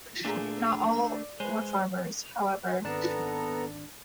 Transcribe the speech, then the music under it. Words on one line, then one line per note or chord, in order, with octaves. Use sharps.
Not all were farmers, however.
A#2 A3 D4 G#4 A#5
D5
G#3 B4 C5
G#1 B3 D4 A4 A5 A#5